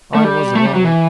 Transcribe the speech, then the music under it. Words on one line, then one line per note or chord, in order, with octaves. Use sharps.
I was wrong.
A3
G3
A3
G3
F#3
E3